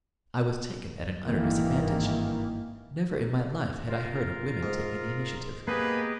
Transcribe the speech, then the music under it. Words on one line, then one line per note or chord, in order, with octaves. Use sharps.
I was taken at an utter disadvantage. Never in my life had I heard of women taking the initiative.
G#1 G2 D#3 E3 A#3
F4 A#4
G#2
A#3 B3 G4 G#4 B4 D#5 G#5